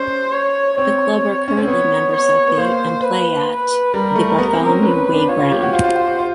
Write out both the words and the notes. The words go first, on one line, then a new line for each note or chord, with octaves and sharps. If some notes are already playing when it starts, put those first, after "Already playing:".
The club are currently members of the and play at the Bartholomew Way Ground.
Already playing: C#4 C5
C#5
C4 C#5
C#4
C4
B3 C#5
C#5
B3
A#3 C5
B4
B4
G3 A#4
A3
B3
C4
C#4
C#4 B4
D4
F4 C#5
F4
G4
F#4
F4 C5
F4
F4
F#4
F4